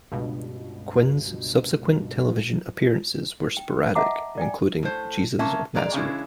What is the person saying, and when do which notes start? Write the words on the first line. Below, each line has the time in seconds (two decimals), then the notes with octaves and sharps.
Quinn's subsequent television appearances were sporadic, including "Jesus of Nazareth".
0.12 C#2 G2 B2
3.57 G5
3.95 D#5 E5 F#5 A5 A#5 D6
4.38 D5 G5 G#5
4.83 A2 C5
5.39 C3 A#3 C#4 E5 A5
5.75 A#2 G#3 D5 A#5
5.93 C#3 E3 G#3 C#4 D4 E4